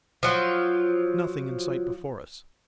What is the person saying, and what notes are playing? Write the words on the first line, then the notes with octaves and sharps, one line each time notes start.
Nothing in sight before us.
F3 F#3 F4